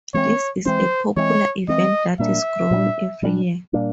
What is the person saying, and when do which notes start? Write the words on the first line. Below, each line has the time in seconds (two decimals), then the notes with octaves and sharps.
This is a popular event that is growing every year.
0.14 E3 G#3 C4 C#5
0.66 E3 G#3 C4 C5
1.16 E3 G#3 C4 C#5
1.68 E3 G#3 C4 D#5
2.19 A#2 G3 A#3 D4 E5
2.71 A#2 G3 A#3
2.75 D4
3.22 A#2 G3 A#3 D4
3.73 A#2 G3 A#3 D4